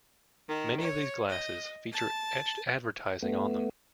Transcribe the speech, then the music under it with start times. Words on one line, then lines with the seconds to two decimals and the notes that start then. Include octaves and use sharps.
Many of these glasses feature etched advertising on them.
0.49 D#3
0.81 C#5
1.29 D#5
1.92 A5
3.23 A3 B3